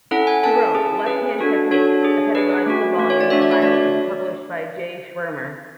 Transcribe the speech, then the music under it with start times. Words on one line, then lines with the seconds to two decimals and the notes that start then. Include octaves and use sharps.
He wrote "Left Hand Technique", a pedagogical volume for violin published by G. Schirmer.
0.11 C#4 E4 A4 F#5
0.27 G#5
0.43 C#4 E4 A4 A5
0.75 C#4 G#4
1.06 C#4 G#4 B4
1.39 D4 F#4 A4
1.71 D4 F#4 A4 C#5
2.03 D4 G#4
2.35 D4 G#4 B4
2.66 A3 C#4 F#4
2.98 A3 C#4 F#4
3.10 C#5
3.21 D5
3.30 A3 D4 F#4 E5
3.42 D5
3.51 C#5
3.62 A3 D4 F#4 D5